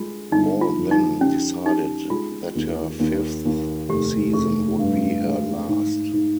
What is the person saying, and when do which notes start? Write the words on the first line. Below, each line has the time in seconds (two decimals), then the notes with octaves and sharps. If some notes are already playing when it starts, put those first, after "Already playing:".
Ball then decided that her fifth season would be her last.
Already playing: G#3 F4
0.32 G1 D#4
0.61 F4
0.77 F2
0.91 D#4
1.20 C#4 G4
1.66 D#4 G4
2.10 G#3 F4
2.55 D#2
2.99 D#2
3.45 D#2
3.89 F1 G4
4.33 F1 G#4
4.79 G2
5.23 G#3
5.68 G#2
6.13 G#2